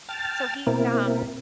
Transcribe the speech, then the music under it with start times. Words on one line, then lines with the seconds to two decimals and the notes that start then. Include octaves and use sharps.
so, he's, um
0.09 G5 A5 F6 A6
0.67 B2 A#3 C4 E4 A#4